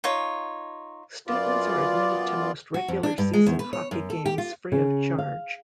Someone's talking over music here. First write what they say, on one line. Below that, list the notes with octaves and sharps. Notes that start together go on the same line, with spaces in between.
Students are admitted to most regular season hockey games free of charge.
D#4 F4 C#5
F#2 B3 F4 D5
F#4
F2
D4
G2
G#3
E2
B4
C#5
F#2
A4
G4
F4
C#3
F5